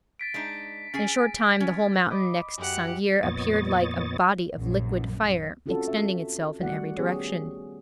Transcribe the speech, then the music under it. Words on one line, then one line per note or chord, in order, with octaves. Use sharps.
In short time the whole mountain next Sang'ir appeared like a body of liquid fire, extending itself in every direction.
A6 B6 D7
G#3 D4 D#4
C#4 G#4 G#5 A6
C#4 G#6
D#5 B5 D6
F#2 G4 F#5
F2 A#2 B3 C#5 D#5 A6
A#1 F#2
C4 C#4 F4 F#4 A4
E5
D#3 G3 A3 F#4 D5 F#5
B3 C#4 G4 G#4 C#5